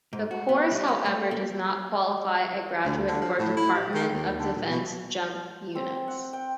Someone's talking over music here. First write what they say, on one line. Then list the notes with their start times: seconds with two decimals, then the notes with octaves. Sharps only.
The course, however, does not qualify a graduate for Department of Defense jump units.
0.13 G#2
0.31 F#4
0.49 B3
0.71 G3
0.88 C#4
1.06 A3
1.31 A#3
2.85 D2
3.08 D3
3.21 F3
3.39 A2
3.57 E4
3.74 G4
3.94 D#3
4.12 D#2
4.38 D3
4.55 A#2
4.70 B2
5.75 C4
6.08 F#5
6.33 G5